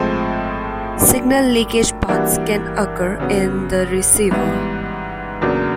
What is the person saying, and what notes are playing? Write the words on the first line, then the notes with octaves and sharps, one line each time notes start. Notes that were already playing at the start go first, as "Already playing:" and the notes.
Signal leakage paths can occur in the receiver.
Already playing: A2 F3 G#3 C4
A2 F#3 A#3 D4
E3 G3 A#3 D4 F#4
C#3 F#3 B3
G#2 E3 G3 B3
E2 C#3 F#3 A#3 D4